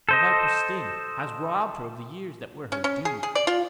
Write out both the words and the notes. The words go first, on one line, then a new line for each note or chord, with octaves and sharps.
A viper's sting has robbed her of the years that were her due.
A4 C5 D#5
C#4
C#4
G#4
G#4
D5
F4